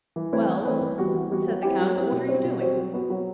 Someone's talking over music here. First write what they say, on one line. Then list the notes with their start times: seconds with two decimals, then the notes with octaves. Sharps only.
"Well," said the count, "what are you doing?"
0.16 E3
0.33 A3 C4 E4 B4
0.48 E3
0.65 A3 C4 E4 B4
0.82 E3
0.98 G3 B3 F#4
1.14 E3
1.30 G3 B3 F#4
1.47 F#3
1.62 C4 E4 G4
1.80 F#3
1.96 C4 E4 G4
2.12 B2
2.28 G3 C4 F#4 C5
2.44 B2
2.61 G3 C4 F#4 C5
2.77 F#3
2.94 B3 F#4 B4
3.10 F#3